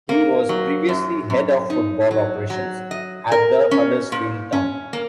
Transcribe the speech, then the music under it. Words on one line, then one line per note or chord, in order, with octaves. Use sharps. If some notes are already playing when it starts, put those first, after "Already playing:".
He was previously Head of Football Operations at Huddersfield Town.
A#3
F#3
F#2
F#2
D#4
F#3
F#3
D#5
A#4
C#4
A#2
C#4
A#3